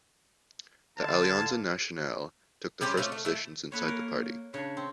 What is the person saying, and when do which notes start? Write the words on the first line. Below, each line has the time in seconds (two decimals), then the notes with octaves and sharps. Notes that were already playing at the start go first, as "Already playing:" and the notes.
The Alianza Nacional took the first positions inside the party.
0.98 D3 F5 A5 G#6
2.81 G3 C#4 G4 C5
2.97 A3 C4 C#4 F4
3.12 A3
3.25 A3 E4
3.72 A#3 A4 B4 C#5
3.88 A#4
4.54 C#3 D4 C#5
4.77 C4